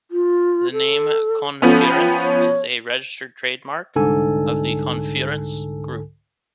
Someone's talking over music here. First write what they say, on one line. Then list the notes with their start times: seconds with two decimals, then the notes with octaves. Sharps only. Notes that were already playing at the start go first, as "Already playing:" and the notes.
The name ConFurence is a registered trademark of the ConFurence Group.
0.11 F4
0.72 A4
1.62 F3 B3 C#4 A4
1.91 G5
2.22 C#5
3.96 C2 G#2 D3 A4 G#5